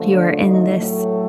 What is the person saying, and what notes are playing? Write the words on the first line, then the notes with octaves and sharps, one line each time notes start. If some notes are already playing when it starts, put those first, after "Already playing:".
you are in this
Already playing: D3 F3 A3
D4 D5
D#4 D#5
A2 F#3 A3